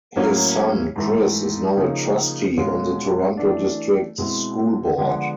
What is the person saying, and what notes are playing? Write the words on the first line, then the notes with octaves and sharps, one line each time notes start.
His son Chris is now a trustee on the Toronto District School Board.
A2 F#3 A#3 C#4
G#2 E3 A3
C#3 F3 A#3 D#4 G#4
B2 G#3 C#4 F4
E3 A3 D4
B2 G#3 C4 E4
D3 F3 G#3 B3